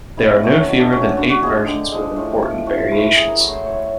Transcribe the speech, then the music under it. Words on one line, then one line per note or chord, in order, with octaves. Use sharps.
There are no fewer than eight versions with important variations.
B2 E4
C#4
F#3 A3 C4
C#4
B2
D4
F#3 A3 C#4
G4
D3 F#4
F#4
F3 G#3 G#4
G4
D3 G4
F3 G#3
A2
F3 A3
A2 F#4
F4
F3 A3 E4
F#4
A2 G#4
A#4
F#3 A3 B4
C5
A2 C#5